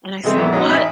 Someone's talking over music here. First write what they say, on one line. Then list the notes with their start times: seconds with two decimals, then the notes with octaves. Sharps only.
and I said, "What?"
0.24 C3 E3 G#3 A3 C4
0.37 F2 A#2 B3 E4
0.53 F#3 G#3 C#4 D#4 F#4
0.69 A1 D#4 E5 B5 D#6